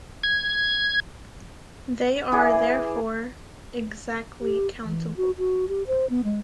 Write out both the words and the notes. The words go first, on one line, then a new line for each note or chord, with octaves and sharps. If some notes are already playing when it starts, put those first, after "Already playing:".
They are, therefore "exactly" countable.
G#6
E3 G#4 D5
G4
E3
F#4
F#4
G4
C5
B3
G#3